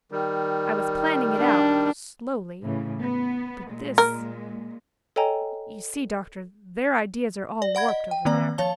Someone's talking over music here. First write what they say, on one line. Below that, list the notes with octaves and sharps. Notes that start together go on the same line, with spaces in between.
I was planning it out, slowly--but this-- You see, Doctor, their ideas are all warped over there.
D#3 G3
D4
A2 C#3 E3
B3
A#2 G#3
A#4
A4 C#5 D#5 G5 G#5 A#5
D5
D5 F#5 B5 G#6
D#5
G5
D#3 A#3 C4 D5 A#5
F3 C#5 F5 A5 G7